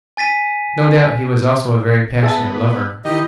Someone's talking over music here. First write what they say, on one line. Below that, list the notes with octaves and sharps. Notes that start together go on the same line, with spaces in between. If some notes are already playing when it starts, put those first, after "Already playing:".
No doubt he was also a very passionate lover.
G#5 A6 B6 D#7
B3 G#4 E5 A5
D#3 E4 G4 D#5